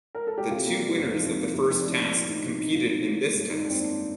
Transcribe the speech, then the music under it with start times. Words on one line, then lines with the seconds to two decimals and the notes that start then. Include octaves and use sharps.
The two winners of the first task competed in this task.
0.15 A#4
0.27 A4
0.38 G4
0.50 C3 F4
0.66 A#3
0.79 G3
0.96 F2
1.10 F3 D#4
1.26 C3
1.40 A#3
1.55 C3
1.70 F3 C4
1.80 D4
1.85 A2
1.90 D4
2.00 A#3 D4
2.14 A2 D4
2.29 F3 D#4
2.44 C3
2.59 A#3 D#4
2.74 C3 F4
2.89 D#3
3.05 A#3
3.20 G3
3.35 G2
3.50 D#3 D#4
3.59 D4
3.64 F2
3.70 C4
3.79 A#3 D4